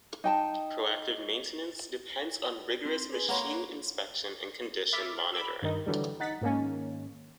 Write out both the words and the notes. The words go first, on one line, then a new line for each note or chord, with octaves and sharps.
Proactive maintenance depends on rigorous machine inspection and condition monitoring.
D#4 G5 A5
C4
G#4 B4 C6
A#3 A#4 C#5 F#5 B5 C6
E5 B5 D6 F6 A6 B6
B5 D6 E6
G2 D#3 D#4
D3 E3 F#3 G3
D#4 F#5 A6 B6
G#2 D#3 A#3 C#4